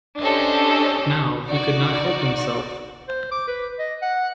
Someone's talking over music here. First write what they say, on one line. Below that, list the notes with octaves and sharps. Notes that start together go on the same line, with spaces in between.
Now he could not help himself.
C#4 D4 G4 A4 C5 D#5
D#4 F#4 D5
C5
D6
B4
D#5
F#5